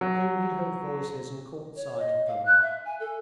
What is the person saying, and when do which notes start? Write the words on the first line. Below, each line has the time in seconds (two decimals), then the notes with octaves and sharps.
Soon he heard voices and caught sight of them.
0.01 F#3
1.76 C#5
1.99 D#5
2.28 F5
2.46 F#6
2.62 E5
2.85 G#5
3.00 A4